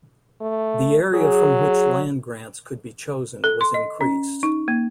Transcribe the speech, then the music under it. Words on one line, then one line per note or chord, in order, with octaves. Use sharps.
The area from which land grants could be chosen was increased.
A3
F#3 G#4
A4
C6
D#5
C#4
D#4
A#3